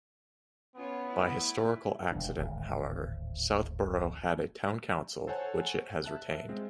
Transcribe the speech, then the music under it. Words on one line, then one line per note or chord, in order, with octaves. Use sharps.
By historical accident, however, Southborough had a Town Council, which it has retained.
B3 C#4 F4 C#5
A3 E4
E1 D3
D1 G#1
A4 C5 C#5 F#5 G#5 A5
E5 A5 F#6
G#3 C4 F4